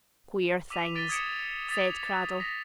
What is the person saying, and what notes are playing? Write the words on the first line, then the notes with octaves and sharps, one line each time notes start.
"Queer things!" said Cradell.
D6 E6 B6 D#7 F7
D6 A6 B6 D7 D#7 G7
D#6 G#6 B6 C#7 D7 E7
D#6 A6 B6 F7
A#6 B6